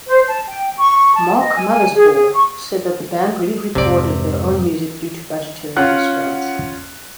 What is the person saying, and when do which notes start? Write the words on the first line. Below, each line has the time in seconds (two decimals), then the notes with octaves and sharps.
Mark Mothersbaugh said that the band re-recorded their own music due to budgetary restraints.
0.07 C5
0.27 A5
0.48 G5
0.76 C#6
0.96 C#6
1.14 A5
1.38 D#5
1.55 G#5
1.69 G#5
1.95 G#4
2.12 G#4
2.34 C#6
3.75 F2 G#2 C3 D5
5.77 C#4 F4 F#5 F#6